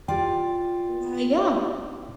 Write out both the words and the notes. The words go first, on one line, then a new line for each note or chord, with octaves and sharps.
Uh, yeah.
F4 G4 D5 G5